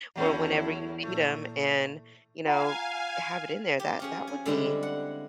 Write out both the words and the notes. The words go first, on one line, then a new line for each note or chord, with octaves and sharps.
or whenever you feed him and, you know, have it in there. That that would be
E2 F#3 A3 C#4 E4
A#2 A3
F4 F5 F#5 G#5 A#5
G4
F3 C#4 G#4
G#5
D3 G3 G#3 C4 E4
F#5